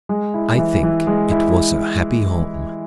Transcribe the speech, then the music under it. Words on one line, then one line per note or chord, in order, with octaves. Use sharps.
I think it was a happy home.
G#3
E4
E3
E3
G#3
E4